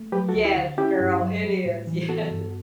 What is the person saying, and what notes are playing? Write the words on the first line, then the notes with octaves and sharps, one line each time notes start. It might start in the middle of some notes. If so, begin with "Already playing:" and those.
Yes, girl, it is, yes.
Already playing: A3
F#3 G4 B4
F#4 A4
D2
E4 G4
D3
C#4 E4 G4
G2
F#3
G3
A2
E3
B3 F#4 A4
G2